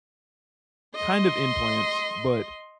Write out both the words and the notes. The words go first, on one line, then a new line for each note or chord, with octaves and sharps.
kind of implants, but
D#5 C6